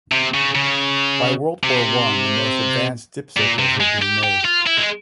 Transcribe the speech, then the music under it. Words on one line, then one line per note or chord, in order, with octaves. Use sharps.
By World War One the most advanced dip circles were being made.
C3
C#3
C#3
C3
A#2
C3
G#3
G4
G4
F4
E4
G#3